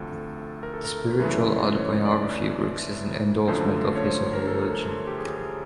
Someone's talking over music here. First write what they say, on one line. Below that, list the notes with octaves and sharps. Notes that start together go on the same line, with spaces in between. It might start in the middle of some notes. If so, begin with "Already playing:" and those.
The spiritual autobiography works as an endorsement of his or her religion.
Already playing: D2 C3 F3 A3 A4
A#4
A4
A#4
F#2 C#3 E3 A3 B4
C#5
D5
F#2 D3 F3 A3 C5
C#5
C5
A#4
A4
A#4
G4
G#4
G#4